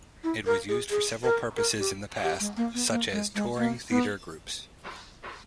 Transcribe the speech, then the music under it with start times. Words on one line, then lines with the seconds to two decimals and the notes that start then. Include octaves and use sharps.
It was used for several purposes in the past, such as touring theater groups.
0.24 E4
0.46 A#4
0.69 G#4
0.90 G#4
1.24 A#4
1.57 A#4
1.79 G4
2.23 G4
2.40 G#3
2.57 A#3
2.74 B3
2.90 A#3
3.12 G#3
3.35 G#3
3.57 A#3
3.90 B3